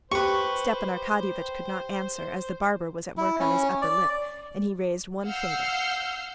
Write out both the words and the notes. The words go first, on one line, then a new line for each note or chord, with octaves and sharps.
Stepan Arkadyevitch could not answer, as the barber was at work on his upper lip, and he raised one finger.
G4 B4 C5 C#6
E4
C#4
D5
F5 F#5 E6 F6 G6 C7